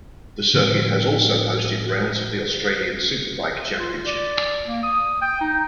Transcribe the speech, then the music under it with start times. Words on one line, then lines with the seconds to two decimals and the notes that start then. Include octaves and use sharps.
The circuit has also hosted rounds of the Australian Superbike Championship.
0.54 A2 D3 F3 C4
3.79 F4
4.06 D5
4.66 A#3
4.83 D#6
5.21 G5
5.41 D#4